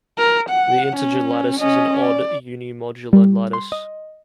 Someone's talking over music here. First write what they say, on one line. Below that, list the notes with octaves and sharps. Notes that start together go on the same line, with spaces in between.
The integer lattice is an odd unimodular lattice.
A#4
F#5
C#4
C#4 D#5
D5
G3
C6
D#5